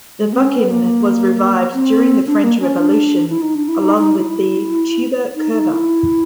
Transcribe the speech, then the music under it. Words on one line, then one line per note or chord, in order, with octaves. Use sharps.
The buccin was revived during the French Revolution, along with the "tuba curva".
G#3
C4
C#4
B3
A#3
C4
D4
A#3
C#4
D4
E4
D#4
D4
E4
D#4
D#4
E4
D#4
D#4
E4